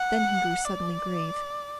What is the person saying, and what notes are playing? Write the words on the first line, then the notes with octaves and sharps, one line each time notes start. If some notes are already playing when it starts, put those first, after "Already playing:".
Then he grew suddenly grave.
Already playing: F#5
D5